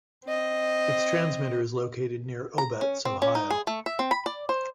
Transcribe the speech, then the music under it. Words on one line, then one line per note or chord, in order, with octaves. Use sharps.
Its transmitter is located near Obetz, Ohio.
C4 D#5
A#5
C#4
C4
C#4
D#4
G#4
A3
E5
C4
B5
D5
C5